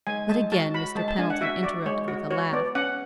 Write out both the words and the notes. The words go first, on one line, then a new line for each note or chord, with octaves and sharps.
But again Mr. Pendleton interrupted with a laugh.
G#3 G#5
G#3 A5
F#4 A5
F#4 B5
G#3 A5
A5
D4 G#5
F#5
F#4 E5
F#4 D5
G#3 C#5
F#4
F#4 C#5
B3 D5
C#4 F#5